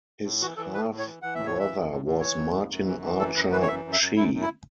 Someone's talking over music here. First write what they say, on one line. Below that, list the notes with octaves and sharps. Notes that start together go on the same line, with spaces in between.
His half-brother was Martin Archer-Shee.
A2
E3 F#4
E3 A4
A2 B4
A2
C#5
E3
E3 F#5
A2 E5
C#5
E3 E5
A2
A2
A2
E3 C#5
F#2
F#2
F#2
E3
E3
F#2 A4
F#2 B4
E3 B4
C#5
F#2 E5
F#2
E5
F#2
F#2 E4
F#2
E4